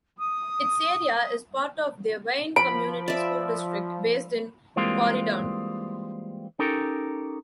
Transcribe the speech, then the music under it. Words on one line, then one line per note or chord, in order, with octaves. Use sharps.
Its area is part of the Wayne Community School District, based in Corydon.
D#6
F3 B5 D7
D5 E5
E3 G3 G#3 A#3 C4 F4
C#4 D#4 G4 A4 A#4